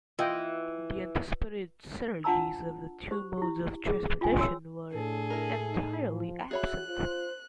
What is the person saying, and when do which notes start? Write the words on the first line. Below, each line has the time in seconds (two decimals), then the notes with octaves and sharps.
The anticipated synergies of the two modes of transportation were entirely absent.
0.19 E3 F4 D#5 G5
2.24 D4 F4 F#5 A5 A#5 E6
3.11 G4 C5
3.37 E4 G4
3.87 G#4
4.21 F4 G5 G#5
4.38 F#4 C#5 E6
4.93 A2 D4 G#4 A4
5.30 E4 A#4
5.69 D#4
6.11 F3
6.51 F#4 G#4 C#5 E5 B5 F#6
6.88 F4 C5